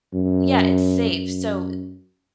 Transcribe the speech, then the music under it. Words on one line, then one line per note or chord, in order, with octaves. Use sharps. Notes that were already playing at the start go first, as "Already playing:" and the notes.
Yeah, It's safe. So,
F#2
F#2